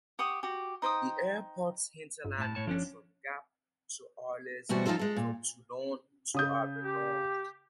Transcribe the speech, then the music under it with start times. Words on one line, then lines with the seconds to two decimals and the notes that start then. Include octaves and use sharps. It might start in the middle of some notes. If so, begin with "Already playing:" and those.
The airport's hinterland goes from Gap to Arles and from Toulon to Avignon.
0.19 G4 F#5 C#6 D#6
0.43 F#4 G4
0.82 D#4 C5 G5 D#6
2.24 G1
2.38 A2 A5
2.55 A2 C#5 A5
2.67 G1 F3 C#4 D4
4.69 E2 B2 G3 F#4 C5
4.86 F3 F#3 D#4 F4 A4 C5
4.99 G#3 A4
5.16 A#2
6.34 C#3 D#6 G6
6.83 G4